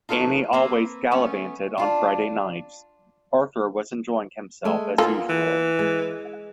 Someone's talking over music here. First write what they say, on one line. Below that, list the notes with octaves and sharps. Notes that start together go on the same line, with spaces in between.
Annie always “gallivanted” on Friday nights; Arthur was enjoying himself as usual.
D#4 F4 A4 B4 C#5
A#3 C4 B4
A3 B3 C#4
D4 F4
G#3 A3 A4
A#3 B3 F4 A4
E3
G#3